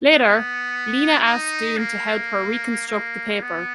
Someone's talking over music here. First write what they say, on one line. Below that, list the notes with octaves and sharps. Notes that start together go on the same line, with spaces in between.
Later, Lina asks Doon to help her reconstruct the paper.
B3
D#4
A#3
A#3
B3